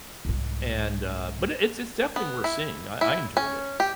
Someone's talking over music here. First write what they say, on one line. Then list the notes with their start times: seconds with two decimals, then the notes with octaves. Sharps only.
and, uh but i it's it's definitely worth seeing, I I enjoyed it.
0.25 C2 G#2
2.16 B3
2.44 E4
3.01 E4
3.37 C#4
3.80 G4